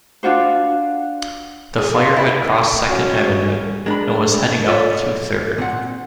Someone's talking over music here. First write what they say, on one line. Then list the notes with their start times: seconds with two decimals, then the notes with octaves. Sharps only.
The fire had crossed Second Avenue, and was heading up to Third.
0.23 D4 F4 F#4 C5
1.78 G#4
1.95 F4
2.17 E4
2.29 D3
2.89 C#4 F#4
3.86 G#3 D4 A#4 B5
4.67 F4 A4 B4 C#5 D5
5.58 A#2 C4 F#5